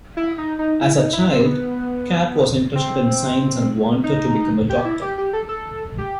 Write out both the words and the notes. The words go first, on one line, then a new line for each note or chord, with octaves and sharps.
As a child, Catt was interested in science and wanted to become a doctor.
E4
D#4
D#4
E4
D#4
E4
C4
B3
C4
D#4
G4
E4
G4
G4
A4
A4
G4